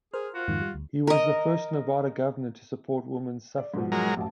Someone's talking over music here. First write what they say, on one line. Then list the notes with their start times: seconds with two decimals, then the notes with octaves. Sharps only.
He was the first Nevada governor to support Women's Suffrage.
0.14 G#4 A#4 C5 F6
0.35 F4 F#4
0.48 F2 G#2 D#3
0.61 G3
0.75 D2
1.07 A#4 D#5
3.58 D5
3.74 G#2 B2 F3
3.92 F#3 G#3 A#4
4.17 A1 F#2 A5